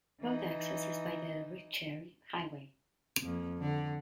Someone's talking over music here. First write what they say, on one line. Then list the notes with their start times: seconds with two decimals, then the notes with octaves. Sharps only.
Road access is by the Riccheri Highway.
0.20 E3 D#4
3.23 F2 A#3
3.59 D3